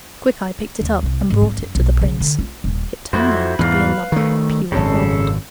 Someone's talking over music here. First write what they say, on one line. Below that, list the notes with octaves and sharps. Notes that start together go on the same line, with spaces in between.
Quickeye picked it up and brought it to the prince. It turned out to be a lump of pure gold.
D#2
C2
G#2
G#1
F#2
B1
C#3
D3
F4
D#1
F2 E4 F#4 C5
E2 G#2 B4 F5
D#3 A3
G#1 F#2 C#3 A4